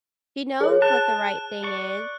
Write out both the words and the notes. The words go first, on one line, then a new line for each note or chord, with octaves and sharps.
she knows what the right thing is,
G#4 C#5
A5 F#6
D5 C#6